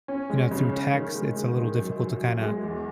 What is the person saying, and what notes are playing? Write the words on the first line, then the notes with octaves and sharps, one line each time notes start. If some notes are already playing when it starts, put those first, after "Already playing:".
you know, through text, it's a little difficult to kinda,
C#4
G#3
C#3
C#4
D#3
G#3
G#3
D#3
F#2
F#2
F#2
G#3
E2